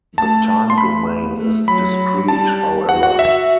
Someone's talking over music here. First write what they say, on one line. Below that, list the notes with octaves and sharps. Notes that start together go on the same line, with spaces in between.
The time domain is discrete, however.
A3 A5
C6
B5
A3
F#3 B5
G3 A5
F#4 F#5
F#5
E5